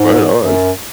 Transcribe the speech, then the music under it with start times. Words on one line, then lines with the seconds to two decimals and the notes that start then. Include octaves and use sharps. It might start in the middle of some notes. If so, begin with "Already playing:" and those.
Right on.
Already playing: G#2
0.37 F#2